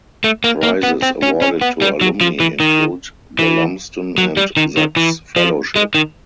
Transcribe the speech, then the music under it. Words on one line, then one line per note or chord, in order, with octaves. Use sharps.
Prizes awarded to alumni include the Lumsden and Sachs Fellowship.
A3
A#3
A#3
B3
C4
C#4
C#4
B3
G3
F#3
F3
E3
D#3
E3
F#3
G3
D#3
D#3
E3
F3
G#3
D#3